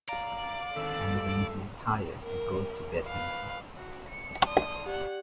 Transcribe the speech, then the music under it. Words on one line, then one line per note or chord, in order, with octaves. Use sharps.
And when he's tired he goes to bed himself.
D5 F5 A#5
D3 D#3 C4 A4
G#2 G3
A#4
B4 F5
F#4
C#7
D5 A5 C6 D#6
G4 D5 F#5